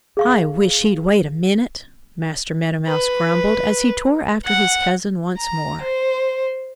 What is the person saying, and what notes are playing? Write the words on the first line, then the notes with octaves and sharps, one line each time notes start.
"I wish he'd wait a minute," Master Meadow Mouse grumbled as he tore after his cousin once more.
G#4 F5 C#6
B4
F#5
A#5
C5